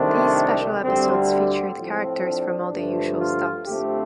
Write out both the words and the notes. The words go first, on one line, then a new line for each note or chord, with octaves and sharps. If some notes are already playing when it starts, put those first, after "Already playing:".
These special episodes featured characters from all the usual stops.
Already playing: C2 C3 D#3 A3 C4 D4
D2 D3 G3 C4
C4
A2 F3 C4
D4
G2 D3 F3 A3
F4
F2 D3 A3 C4 G4